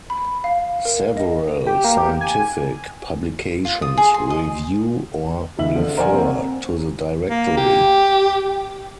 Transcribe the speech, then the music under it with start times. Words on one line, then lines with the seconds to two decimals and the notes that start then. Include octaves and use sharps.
Several scientific publications review or refer to the directory.
0.10 B5
0.44 F5
0.85 A#4
1.17 D#5
1.67 G4
1.85 A#3
1.98 G4
2.21 G#5
3.65 F4
3.82 D#6
3.97 G#4
4.14 C6
4.30 D#5
5.59 C#2 E5 F#7
5.76 D3 F3
5.97 A#4 C5 D5 F#5 G#5
6.14 A#3 C4
7.29 A#3
7.57 G4